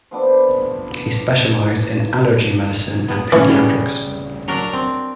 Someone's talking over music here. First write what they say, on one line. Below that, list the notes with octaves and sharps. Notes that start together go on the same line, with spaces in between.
He specialized in allergy medicine and pediatrics.
F3 B3 D4 A4
B3
D3 E3 C#4
C#3 G3 B3
F#3 D4 A#4
C4